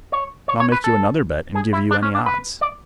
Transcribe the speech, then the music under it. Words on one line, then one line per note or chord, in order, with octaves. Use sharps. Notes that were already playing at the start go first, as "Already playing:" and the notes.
"And I'll make you another bet, and give you any odds."
C#5
C#5
C#5
B4
A4
G#4
E4
D4
C#4
D4
B4
D5